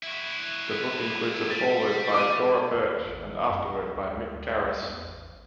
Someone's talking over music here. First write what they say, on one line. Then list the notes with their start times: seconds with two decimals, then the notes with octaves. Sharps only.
The book includes a foreword by Thora Birch and afterword by Mick Garris.
0.03 E4 F#4
1.50 G3 A6
2.14 D6 D#7
2.74 D#2
3.06 G#1
3.48 F#2
3.70 B1
3.92 D2
4.35 D2
4.62 B1
4.83 E2
5.09 A1